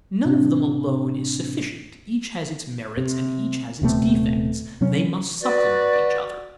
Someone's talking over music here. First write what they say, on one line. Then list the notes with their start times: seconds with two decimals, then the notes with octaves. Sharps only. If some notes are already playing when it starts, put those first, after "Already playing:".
None of them alone is sufficient; each has its merits and each has its defects; they must supplement each other.
0.25 A2 C3 C4 D4
2.97 C3
3.82 D#1 C3 A3 B3
4.81 C3 F#3 C#4
5.42 F#4 B4 D5